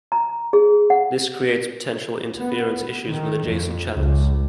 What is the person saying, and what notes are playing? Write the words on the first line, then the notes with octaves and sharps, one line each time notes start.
This creates potential interference issues with adjacent channels.
A#5
G#4
F#5
B3
D#3
F2
C#2